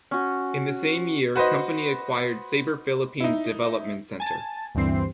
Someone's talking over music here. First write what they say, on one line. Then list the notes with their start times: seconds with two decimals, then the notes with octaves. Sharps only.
In the same year company acquired Sabre Philippines Development Center.
0.11 C#4 F#4
1.35 F#4 B4 C5 D#5
3.20 D#4 E4
4.20 G#5 A5 A6
4.75 D2 G2 E3 C4 C7